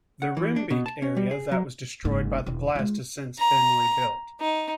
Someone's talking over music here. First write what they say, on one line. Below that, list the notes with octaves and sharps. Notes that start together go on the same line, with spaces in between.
The Roombeek area that was destroyed by the blast has since been rebuilt.
F#5
E3
D4
B2
A5
C#4
G3
G#4
F#3
F#1 G#2
E1 D#3
G#3 F4
A#5
D#4